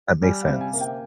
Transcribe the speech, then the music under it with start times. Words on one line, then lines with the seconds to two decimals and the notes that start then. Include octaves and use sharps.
That makes sense.
0.23 G3 G#5
0.42 F5
0.49 C3
0.61 G#5
0.74 A#3
0.81 G5